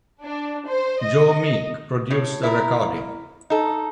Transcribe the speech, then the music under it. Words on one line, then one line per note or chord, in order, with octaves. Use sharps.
Joe Meek produced the recording.
D4
C5
D#5
A2 C#5
E4 A#4
D#4 A4